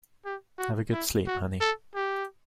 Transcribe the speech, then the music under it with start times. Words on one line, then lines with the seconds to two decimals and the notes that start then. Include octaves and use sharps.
Have a good sleep honey.
0.25 G4
0.59 F#4
0.93 E4
1.27 F#4
1.61 A4
1.95 G4